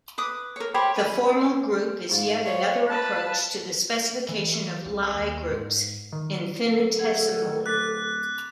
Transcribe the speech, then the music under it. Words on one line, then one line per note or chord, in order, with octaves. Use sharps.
The formal group is yet another approach to the specification of Lie groups, infinitesimally.
B4 D6 D#6
A#4 C#5
G4 C5 C#5 B5
G#5 B5
G#2 F4
F3 C#5
B4 A5
E3
C2
D#2
G#2
D#3
D1 A4
G#4 F#5 G#6
D6 F#6 A6 B6